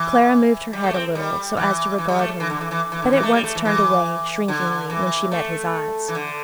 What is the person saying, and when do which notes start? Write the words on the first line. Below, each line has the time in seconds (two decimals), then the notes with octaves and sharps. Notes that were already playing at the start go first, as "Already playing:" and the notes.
Clara moved her head a little, so as to regard him, but at once turned away, shrinkingly, when she met his eyes.
Already playing: E3
0.73 G3
0.83 A3
0.94 C4
1.15 G3
1.57 E3
1.98 E3
2.08 G3
2.19 A3
2.40 E3
2.50 D3
2.61 E3
2.71 E3
2.92 E3
3.02 D3
3.13 E3
3.23 A3
3.34 G3
3.44 A3
3.55 E3
3.65 E3
4.48 D3
4.90 E3
5.31 A3
6.08 E3
6.15 D3